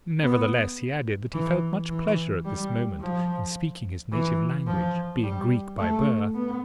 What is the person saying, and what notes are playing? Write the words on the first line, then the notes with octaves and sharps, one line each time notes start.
Nevertheless, he added that he felt much pleasure at this moment in speaking his native language, being Greek by birth.
B3
E3
E3
G3
F3
E3
F3
G3
A3
B3